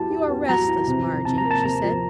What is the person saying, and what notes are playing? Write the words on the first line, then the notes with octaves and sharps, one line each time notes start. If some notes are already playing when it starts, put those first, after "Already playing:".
"You are restless, Margie," she said.
Already playing: F#3 B3 E4 G4 A5
G4
B3
F#3 A#5
E4
C3
F3
C3 A5
A#5
A#3
A5
C3 A#5
F3